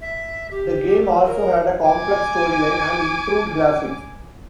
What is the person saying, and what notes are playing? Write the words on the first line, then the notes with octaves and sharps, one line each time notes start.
The game also had a complex storyline and improved graphics.
E5
G4
A#4
G#5 D6